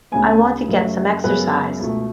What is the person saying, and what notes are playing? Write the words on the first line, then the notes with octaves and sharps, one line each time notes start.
I want to get some exercise.
D2 C#3 G#3 B3 G#5
F#2 C#3 F#3 A3
F#2 C#3 G#3 B3 B4
C#2 B2 A3